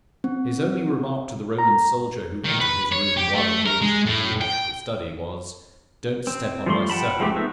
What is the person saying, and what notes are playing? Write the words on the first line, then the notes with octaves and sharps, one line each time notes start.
His only remark to the Roman soldier who entered his room while engaged in geometrical study, was, "Don't step on my circle."
C4
A#5
D#3
B4
C#5
G4
A3
A#4
G#3
A2
G5
C4
F3 G3 A3 C6
F#5 G5 A5 B5
F3 G#3 A3 C4 G4
G#3 A3 B3 D#4 E5